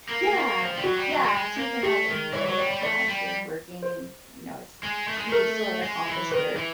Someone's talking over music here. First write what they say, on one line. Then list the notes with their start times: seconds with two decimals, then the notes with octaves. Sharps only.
Yeah. Yeah, so you can, like, move as you're working, and, you know, it's s you could still, like, accomplish work,
0.09 A#3
0.34 A#3
0.59 F3
0.76 G3
0.84 F#3 F#4
0.97 G3
1.09 F#3
1.21 G3
1.33 G#3
1.58 A#3
1.83 A3 G4
2.08 D#3
2.33 E3 C#5
2.41 D5
2.46 F#3 C#5
2.58 G3 D5
2.71 G3
2.83 A3 D5
3.09 G3
3.83 C5
4.83 G#3
5.08 A3
5.18 G#3
5.30 A3 A#4
5.82 G#3
6.07 E3
6.32 D#3 B4
6.56 E3